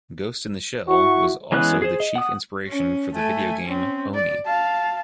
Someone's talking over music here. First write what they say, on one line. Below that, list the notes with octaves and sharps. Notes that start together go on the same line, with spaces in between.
"Ghost in the Shell" was also the chief inspiration for the video game "Oni".
E4 F#4 C#6
E3 G#3 B3 C#4 F#6
G#4 C5
D#5
F#5 D#6
C#4
A3 G#5
C4 C#4
D5
F5 A5